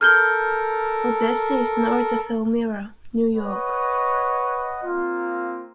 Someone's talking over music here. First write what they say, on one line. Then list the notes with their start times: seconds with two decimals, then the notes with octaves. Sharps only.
Odessa is north of Elmira, New York.
0.01 A4 A#4 F6 G6 G7
3.34 B4 C#5 D#5 F#5
4.84 A#3 C4 F4